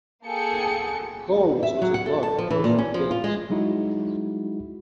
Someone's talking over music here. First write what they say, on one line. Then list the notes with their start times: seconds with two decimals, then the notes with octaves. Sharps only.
Coal was also dug close to the village.
0.25 A#3 G#4 A4 G5 C#7
1.63 E5
1.82 F#3
1.94 F#5
2.06 A4
2.23 A5
2.38 F3
2.50 E3
2.64 A#2
2.78 C#4
2.94 F3
3.11 F4
3.24 G#3
3.50 F#3 G#3 D#4 E4 F#4